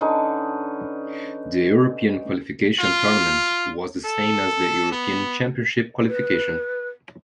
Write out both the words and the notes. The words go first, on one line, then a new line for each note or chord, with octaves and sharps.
The European qualification tournament was the same as the European Championship Qualification.
D3 C#4 D#4 B4
F4
A4
B3
B4